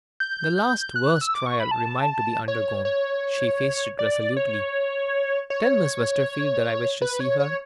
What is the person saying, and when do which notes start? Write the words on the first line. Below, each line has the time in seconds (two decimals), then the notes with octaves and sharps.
The last worst trial remained to be undergone; she faced it resolutely. "Tell Miss Westerfield that I wish to see her."
0.20 G6
0.58 G6
0.96 F#6
1.21 E6
1.34 D6
1.46 C#6
1.60 B5
1.71 A5
2.48 C#5
2.85 C#5
3.99 D5
4.37 C#5
5.50 C#5
7.02 B4
7.20 C#5
7.40 C#5